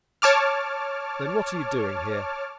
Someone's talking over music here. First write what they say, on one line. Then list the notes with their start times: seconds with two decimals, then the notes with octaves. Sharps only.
"Then what are you doing here?"
0.22 C#5 A5 D6 F6